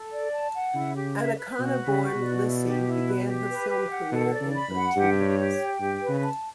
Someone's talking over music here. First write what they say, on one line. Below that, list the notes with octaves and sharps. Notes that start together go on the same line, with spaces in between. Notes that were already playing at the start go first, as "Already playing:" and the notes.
Ancona-born Lisi began her film career in her teens.
Already playing: A4
D5
A5
F#5
C#3 E4
G4
E5
B4
B2 F#4
B4
C#3
F#4
B2
D5
E4
G4
E4
B4
G4
B4
G4
F#5
B2 A4
D5
C#3
B5
F#2
F#5
G2 G4
C#5
G4
G5
G2 G4
B4
C#3
A5